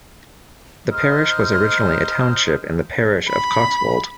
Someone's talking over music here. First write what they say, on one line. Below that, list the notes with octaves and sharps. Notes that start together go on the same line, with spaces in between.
The parish was originally a township in the parish of Coxwold.
D#4 C5 D#5 F6
B5